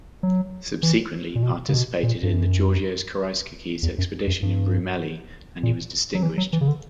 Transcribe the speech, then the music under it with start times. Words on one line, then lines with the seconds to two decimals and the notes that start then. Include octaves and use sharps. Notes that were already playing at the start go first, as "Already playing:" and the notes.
Subsequently he participated in the Georgios Karaiskakis' expedition in Roumeli and he was distinguished.
0.23 F#3
0.83 E3
1.35 A#2
1.43 B2
1.69 C#3
1.73 B2
2.03 A#2
2.23 G2
2.33 F#2
3.83 E2
3.98 F#2
4.27 F#2
4.43 G2
5.63 A#2
6.15 F#3
6.23 E3
6.38 F#3
6.53 E3
6.61 C#3
6.68 D3